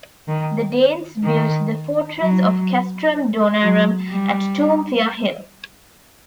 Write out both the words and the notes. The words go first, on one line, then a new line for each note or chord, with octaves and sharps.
The Danes built the fortress of Castrum Danorum at Toompea Hill.
D#3
D#3
F#3
F#3
G3